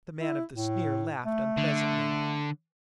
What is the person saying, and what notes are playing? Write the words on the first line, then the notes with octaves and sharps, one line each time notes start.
The man of the sneer laughed unpleasantly.
E4
A2
A3
D3